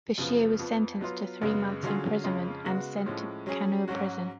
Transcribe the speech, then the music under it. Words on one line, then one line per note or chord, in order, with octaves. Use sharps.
Basheer was sentenced to three months imprisonment and sent to Kannur prison.
F#2 C#3 F3 B3
F2 F3 B3
F#3 B3 F4
F#2 C#3 G#3 B3
D3 F#3 C#4 F4 G#4
F2 C#3 G#3 C#4 F4
C#3 G#3 B3 F#4
A2 F3 G#3 C#4
F#3 C#4 G#4
G#2 F#3 C#4 F#4